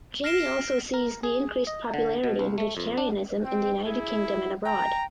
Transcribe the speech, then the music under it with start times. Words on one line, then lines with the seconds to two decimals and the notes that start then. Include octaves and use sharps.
Jamie also sees the increased popularity in vegetarianism in the United Kingdom and abroad.
0.24 F6 A#6 C7 D7 E7 G7
0.94 A#4
1.23 G#4
1.67 D#5
1.94 D3
2.24 B2
2.39 C2
2.58 A3
2.77 F2
2.98 D4
3.44 C4 G5
3.84 E4 G#4
4.65 G5 A#5